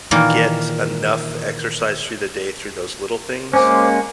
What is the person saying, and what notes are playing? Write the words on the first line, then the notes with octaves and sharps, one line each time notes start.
get enough exercise through the day through those little things,
A#2 D#3 E3 A#3
G#3 A#3 C#4 C5 D6